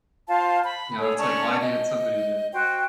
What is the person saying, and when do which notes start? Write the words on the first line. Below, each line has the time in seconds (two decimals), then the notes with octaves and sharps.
you know, it's like, well, I needed somebody to
0.27 F4 C5 F5 A5
0.63 B5
0.98 G#4 A4 C#5
1.17 C#4 D5 A5 C#6
1.59 D#5
2.52 F#4 C5 G5